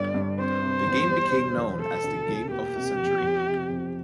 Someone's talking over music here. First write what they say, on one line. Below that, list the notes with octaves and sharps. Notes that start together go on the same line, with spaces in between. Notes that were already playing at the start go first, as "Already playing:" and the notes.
The game became known as the game of the century.
Already playing: G1 G2 D3 D5
G2
C4 C5
C3
E2
G3
D2
E1
E1 A4
D2
E1
A#3 G4
C3
F2
F2
C3
F2